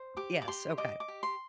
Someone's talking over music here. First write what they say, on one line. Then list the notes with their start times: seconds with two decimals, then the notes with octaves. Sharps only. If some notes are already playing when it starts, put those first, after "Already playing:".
Yes, okay.
Already playing: C5
0.17 G4 D6
0.42 D6
0.47 G4 C6
0.78 D#5 D6
1.00 D6
1.08 G4
1.23 C6